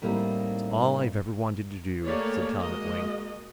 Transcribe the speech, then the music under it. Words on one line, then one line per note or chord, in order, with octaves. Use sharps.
"It's all I've ever wanted to do," said Tom at length.
A2 G3 A#3 C4 D#4 E4
A3 A#3 G4 G#4 C#5 D5
G#3 A#3 F#4 D#5